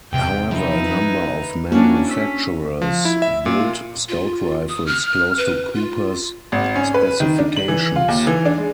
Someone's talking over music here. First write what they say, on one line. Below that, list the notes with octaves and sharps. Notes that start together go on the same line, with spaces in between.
However, a number of manufacturers build scout rifles close to Cooper's specifications.
E2 C3 G5
F3 D#4 E4
B4
A#3 C#4 D4 E4 F#4
C#4 E6 B6
F3
E4
E5
A#2
F4
F4
D#6
F6
B4
F4
G#1
C#4
B4
D#3
D4
F#7
E3
F4
D#2
E3
D4
G#3